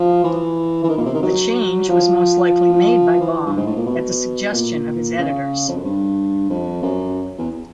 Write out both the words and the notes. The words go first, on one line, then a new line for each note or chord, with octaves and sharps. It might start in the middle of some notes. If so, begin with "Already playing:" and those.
The change was most likely made by Baum at the suggestion of his editors.
Already playing: F3
E3
E3
D#3
A#2
C3
D#3
F#3
F3
E3
G2
G#2
A2
A#2
B2
A#2
C#3
F2
F#2
G2
F2
F#2
E2